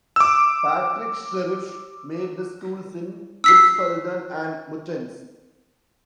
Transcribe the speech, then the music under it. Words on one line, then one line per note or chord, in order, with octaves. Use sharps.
Patrick Streiff made the schools in Birsfelden and Muttenz.
D6 E6
E6 B6 C7